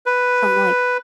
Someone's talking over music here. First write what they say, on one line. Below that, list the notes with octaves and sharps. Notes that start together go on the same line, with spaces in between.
some, like,
B4